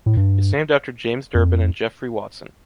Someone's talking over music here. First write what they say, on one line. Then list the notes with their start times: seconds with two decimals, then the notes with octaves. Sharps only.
It’s named after James Durbin and Geoffrey Watson.
0.06 A2
0.17 G2
1.35 F2